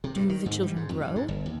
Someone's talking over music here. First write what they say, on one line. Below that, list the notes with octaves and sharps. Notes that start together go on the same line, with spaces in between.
Do the children grow?
C3
G2
D#3
G#2
G3
G#2
F2
G2
G#2
G1
D#2